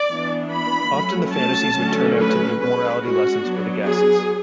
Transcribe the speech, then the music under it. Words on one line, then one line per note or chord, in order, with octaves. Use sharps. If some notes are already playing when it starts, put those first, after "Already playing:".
Often the fantasies would turn out to be morality lessons for the guests.
Already playing: D5
E3 B3 D4
B5
F#3 A3 C#4
A5
D3 F#3 A3 C#4
B4
G#3 C#4 B4
F#4
F#3 B3 D4
G#4